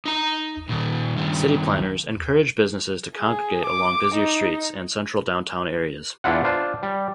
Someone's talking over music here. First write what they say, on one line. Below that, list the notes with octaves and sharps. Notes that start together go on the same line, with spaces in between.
City planners encourage businesses to congregate along busier streets and central downtown areas.
D#4 A#5
A#2 D#3
G2 D#3
G#4
D6
D#4
E2 D4 E4 F4 F#5
D4 F4 C5
G3